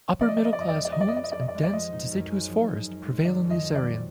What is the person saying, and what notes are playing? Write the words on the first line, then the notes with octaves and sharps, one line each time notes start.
Upper-middle-class homes and dense deciduous forest prevail in this area.
F3 D5
D#5
D5
B3 D#5
D5
F2 D#5
D5
G#3 D#5
D5
D#5
F3 D5
D#5
B3 D5
D#5
D5
F2
D#5
D5
G#3 D#5
D5
F3 D#5
D#4
F#2
G#3
F3
D#4
F#2
G#3
D#3 D5
F2
D#5
F2
D5
F#3